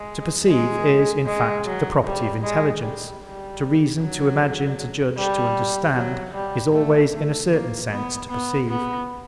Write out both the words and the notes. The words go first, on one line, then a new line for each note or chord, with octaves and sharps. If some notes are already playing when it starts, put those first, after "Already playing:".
To perceive is, in fact, the property of intelligence; to reason, to imagine, to judge, to understand, is always, in a certain sense, to perceive.
Already playing: G#3
G#3
G#3
F#3
G3
G#3
G3
G3
F#3
G3
F#3
G3
A3
A3
A#3
B3
B3
B3